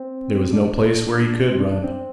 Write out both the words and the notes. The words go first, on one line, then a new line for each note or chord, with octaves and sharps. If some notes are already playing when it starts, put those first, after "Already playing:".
There was no place where he could run.
Already playing: C4
D4
C4
D4
D4
C4